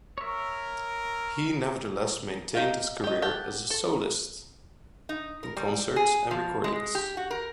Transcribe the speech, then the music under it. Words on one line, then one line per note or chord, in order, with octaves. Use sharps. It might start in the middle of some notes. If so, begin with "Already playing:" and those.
He nevertheless maintained his career as a soloist in concerts and recordings.
A#4 C#5 E5
D#4 G4 F5
G4 D#5
G4 F#5 A5
A4
D#4
A#4
G3
G#4
F3
G#3
G4
F#4
A#4